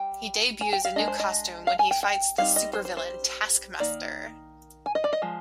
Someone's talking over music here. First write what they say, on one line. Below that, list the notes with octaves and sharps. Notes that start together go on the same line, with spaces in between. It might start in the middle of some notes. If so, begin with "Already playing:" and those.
He debuts a new costume when he fights the supervillain Taskmaster.
Already playing: G3 G5
G#5
G5
F5
G#3 D4 D#5
C5
D#5
F5
G#5
G5
G5
G3 C4 D#4 F5
D#5
C5
C5
C5
D#3 A#3 D#4 D5
G#5
D#5
D5
D#5
F3 G#3